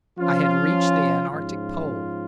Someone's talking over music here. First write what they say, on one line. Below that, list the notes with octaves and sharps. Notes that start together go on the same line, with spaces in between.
I had reached the antarctic pole.
F3 C#4 F4
G#2 F3 C#4 F4